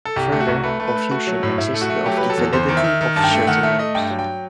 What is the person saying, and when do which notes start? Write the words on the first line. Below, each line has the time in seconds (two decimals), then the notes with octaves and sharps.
Further confusion existed over the validity of certain names.
0.05 A4
0.16 C2 G4
0.32 A3
0.41 F#4
0.48 C2
0.63 A3 B4
0.80 A3
0.87 B4
0.95 A3
1.11 A3 F#4
1.27 F#3
1.43 A2
1.58 A2 E4
1.74 A3
1.81 F#4
1.90 A3
2.06 F#3 G4
2.17 F#3 B4
2.30 A4
2.37 E2
2.53 E2 C5
2.69 D#3
2.77 E5
2.84 D#3
3.01 D#3
3.16 G2 A5
3.24 G5
3.31 A3
3.42 E5
3.47 D#3 F#5
3.63 A3 E5
3.79 A3 D#5
3.95 G2 G5
4.11 F#3
4.19 G5